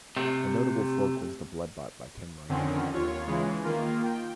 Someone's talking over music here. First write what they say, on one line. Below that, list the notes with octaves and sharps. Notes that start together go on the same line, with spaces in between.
A notable fork was blootbot by Tim Riker.
C3 A3
F2 D3 D#3 C4 C#4
D#2 F4 C#5
C#3 E3 G#3
D#3 A#3 F4
G5